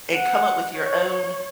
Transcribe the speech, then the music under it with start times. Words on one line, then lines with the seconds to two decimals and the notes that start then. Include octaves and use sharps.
and come up with your own
0.15 F#5
0.75 C#5